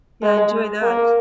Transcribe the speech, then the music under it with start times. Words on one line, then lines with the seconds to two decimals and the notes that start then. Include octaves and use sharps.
Yeah, I enjoy that.
0.23 G#3
0.82 A#3